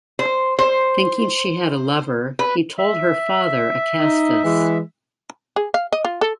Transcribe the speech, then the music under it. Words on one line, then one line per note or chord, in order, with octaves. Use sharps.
Thinking she had a lover he told her father Acastus.
C5
C5
B4
E5
D#4
E3 G#3
G#4
F5
D#5
F4
A4